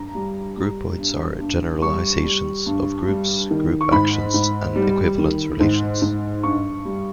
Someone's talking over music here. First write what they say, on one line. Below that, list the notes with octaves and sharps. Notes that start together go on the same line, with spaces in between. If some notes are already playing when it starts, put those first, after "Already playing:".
Groupoids are generalizations of groups, group actions and equivalence relations.
Already playing: G2 A#5
G3
G3
G2
G2
G3 C#6
G3
G2
G3
D#3
C#6
G#2 B5
G#2
G3
D#3
G#2
G#2
G2 C#6
G3